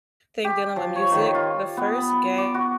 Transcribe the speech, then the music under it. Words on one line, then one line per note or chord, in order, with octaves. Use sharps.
Think dealing with music. The first gadget
G4
F3
C#5
D#3
F4
B3
B5
D6
F#4